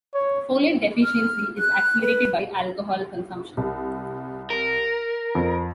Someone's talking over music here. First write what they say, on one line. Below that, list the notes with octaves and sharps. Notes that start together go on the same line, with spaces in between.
Folate deficiency is accelerated by alcohol consumption.
C#5
F6
F#6
B4
C2
A#4
F2